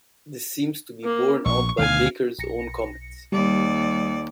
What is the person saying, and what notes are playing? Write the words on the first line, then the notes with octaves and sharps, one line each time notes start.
This seems to be borne out by Baker's own comments.
A#3
A#1 C#6
D2 B2 D#3 F5 G#5
B1 A#6 C#7
D#2 G3 D5